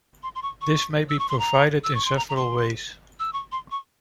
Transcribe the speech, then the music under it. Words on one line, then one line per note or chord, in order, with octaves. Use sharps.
This may be provided in several ways.
C6
C6
C#6
C#6
E6
C#6
C6
A#5
E6
C#6
C6
A#5
A#5
C6
E6
C#6
C6
C#6